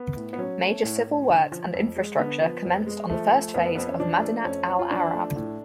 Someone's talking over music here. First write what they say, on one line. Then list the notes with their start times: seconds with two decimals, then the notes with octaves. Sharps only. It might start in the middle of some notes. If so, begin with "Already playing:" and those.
Major civil works and infrastructure commenced on the first phase of Madinat Al Arab.
Already playing: B3
0.16 A2
0.33 B3
0.38 F#3 C#4
0.61 A3
0.84 A2
1.06 A2
1.29 D3
1.52 F3
1.74 F2
1.96 G#3
2.19 D3 B3
2.42 F3
2.65 F2
2.86 G#3
3.10 F3 A3
3.32 A3
3.54 F2 B3
3.75 F2 B3
3.87 C#4
4.00 F3 D4
4.22 A3
4.45 F2 C#4
4.68 F2
4.79 F4
4.90 F3 D4
5.14 A3
5.36 A2